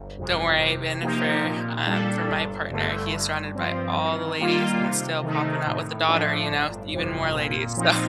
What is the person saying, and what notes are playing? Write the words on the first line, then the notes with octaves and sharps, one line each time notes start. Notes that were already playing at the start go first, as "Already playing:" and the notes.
don't worry, been it for, um, for my partner, he is surrounded by all the ladies and still popping out with a daughter, you know, even more ladies. So,
Already playing: G1
F2 C3
C3
F3 A#3 D#4 G4
A#2
G3 D4 A4
G1
G2 D3 A3
G2
F3 C4
D#3
G3 A#3 F4
C3
D#3 A3 D#4
A2
F3 A3 D4
G1
F2 C3
A#2
F3 C4 D#4